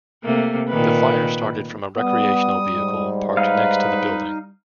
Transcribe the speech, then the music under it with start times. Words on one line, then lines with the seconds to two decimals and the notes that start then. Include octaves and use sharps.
The fire started from a recreational vehicle parked next to the building.
0.24 C3 A3 A#3
0.69 A#2 D#3 B4
1.96 G3 B3 D#6
2.72 G#2
3.37 D#4 B4 F5